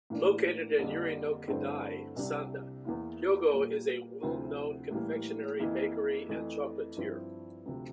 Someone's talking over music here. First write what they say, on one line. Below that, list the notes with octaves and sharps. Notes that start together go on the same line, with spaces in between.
Located in Yurinokidai, Sanda, Hyogo, is a well-known confectionery, bakery and chocolatier.
A2 E3 A#3 D4
F2 D3 G3 A#3 D4
G2 D3 A3 C4 E4
C2 C3 G3 D4
E2 E3 A#3 E4
A#2 G3 A#3
D2 C3 F3 C4 E4
A2 E3 G3 A#3
F2 E3 A#3 E4
F2 E3 A3
G2 F3 C4 E4
D2 C3 F3